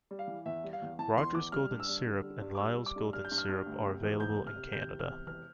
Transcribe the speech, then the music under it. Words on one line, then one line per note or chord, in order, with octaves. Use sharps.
Rogers Golden Syrup and Lyle's golden syrup are available in Canada.
G3
F5
E3
E2 E5
G3
F5
E2
E3 A5
E2 C6
E2 D6
G3 F6
G2
E6
G3
D3
G3
G2
D6
G3 E6
G3
D6
G2
G3 F6
G6
G2
F6
G2
D2
C3
E1
D2 G6
C3
F6
C3
C3 G6
E1
F6
C3
E1 F6